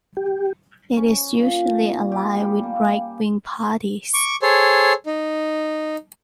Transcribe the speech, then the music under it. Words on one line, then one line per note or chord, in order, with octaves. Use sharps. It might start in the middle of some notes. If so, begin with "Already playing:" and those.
It is usually aligned with right-wing parties.
G4
C#4
A#2
G4
G3
A#3
C#6 D6
G#4 A4 C5 C#5
D#4